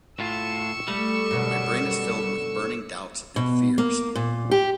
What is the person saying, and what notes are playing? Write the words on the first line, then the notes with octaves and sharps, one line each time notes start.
My brain is filled with burning doubts and fears.
A2 F4 C#6 E6
G3 A3
F#2 B2 D3
B2
A#3
A#2
G4